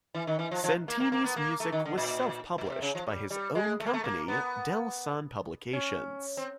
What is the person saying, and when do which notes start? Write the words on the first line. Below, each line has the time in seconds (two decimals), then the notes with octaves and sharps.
Santini's music was self-published by his own company, DelSan Publications.
0.14 E3
0.27 D#3
0.39 E3
0.51 F3
0.64 F3
0.88 A#3
1.00 A#3
1.12 A#3
1.24 B3
1.36 A#3
1.60 A3
1.72 D#3
1.86 D3
1.98 A#2
2.58 A#2
2.70 C3
2.82 C#3
2.95 F3
3.07 G3
3.30 G3
3.55 G#3
3.80 A3
3.86 A#3
3.93 A3
4.04 A#3
4.28 B3
5.73 C#4
6.37 C4